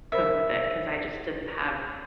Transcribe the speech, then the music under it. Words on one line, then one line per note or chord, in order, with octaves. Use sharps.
cook with it 'cause I just didn't have
A#4 C5 E5 B5